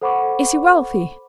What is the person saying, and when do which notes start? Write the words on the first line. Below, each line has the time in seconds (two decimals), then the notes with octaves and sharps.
Is he wealthy?'
0.02 A4 C5 F#5 B5 C#6 D6